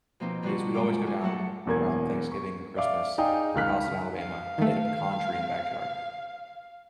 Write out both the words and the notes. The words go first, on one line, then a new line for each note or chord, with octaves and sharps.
is we'd always go down around Thanksgiving and Christmas to their house in Alabama, and they had a pecan tree in the backyard.
B2 F3 A#3 C4 D#4
B2 D3 G3 B3 F4 F#4
F#2 G#3 A#4 D6
G3 G#4
F#3 A3 A4 F#5
E1 E2 A#3 G#6
C#6
D5 E5 F5 D6
D#4 G#4 D5 F5 G5 D#6
C#2 D#3 F5 F6 F#6 B6
F5
D#3 A3